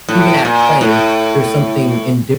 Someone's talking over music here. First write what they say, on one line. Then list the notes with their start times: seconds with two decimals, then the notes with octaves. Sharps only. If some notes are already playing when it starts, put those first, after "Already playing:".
even at play, there's something indifference
0.09 A2
0.45 A#2
0.81 A2